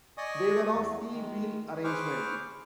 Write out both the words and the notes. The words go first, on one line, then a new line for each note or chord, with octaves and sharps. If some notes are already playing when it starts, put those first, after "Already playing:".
They were of C wheel arrangement.
D5 D#5 G#5 C#6 D#6
E2
D#3 G#3
G#4 B4 C5 C#6 D6 F6